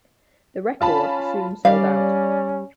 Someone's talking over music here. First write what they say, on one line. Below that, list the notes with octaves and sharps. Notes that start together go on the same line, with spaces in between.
The record soon sold out.
C#4 F4 A5 B5
G3 C#4 D5 F5